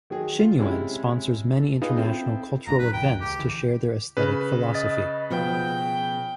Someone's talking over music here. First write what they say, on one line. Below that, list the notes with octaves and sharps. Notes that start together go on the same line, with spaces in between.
Shinnyo-en sponsors many international cultural events to share their aesthetic philosophy.
D#3 F#3 G#4
F4
C3 G#3 C#4 E4
A4
D#4 F4 G#4 B4 D#5 F5
C4 E4 A4
F1 G#2 D4 A#5
A#2 F#3 B4
D#2 A#2 E3 G5
D1
C#2 G4
C#3 E3
C#3 B4
D#5 A6
B2 F3 B3 G5